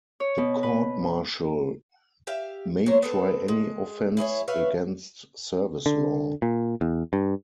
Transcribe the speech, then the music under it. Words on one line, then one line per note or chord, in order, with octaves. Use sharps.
The Court Martial may try any offence against service law.
C#5
B2
B4
G4 E5 F5
F#3 C5 C#5
B3 C4 A4
G#3
E4 G#4 C5 C#5
B4 C#5 E5 F5
D3
A#2
E2
G2